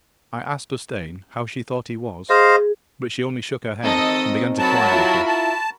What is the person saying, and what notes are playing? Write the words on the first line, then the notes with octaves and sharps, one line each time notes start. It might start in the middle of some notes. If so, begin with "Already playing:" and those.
I asked Ustane how she thought he was; but she only shook her head and began to cry a little.
G#4 C5 D#5 F5
C4 D#4 A4 D#5 D#6
F#3 F#4 A#4 A5 B5
E4 F4
A5